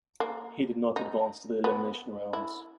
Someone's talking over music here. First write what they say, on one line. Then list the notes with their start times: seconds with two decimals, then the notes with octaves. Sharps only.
He did not advance to the elimination rounds.
0.20 A#3
0.96 D#4
1.64 B3
2.33 E4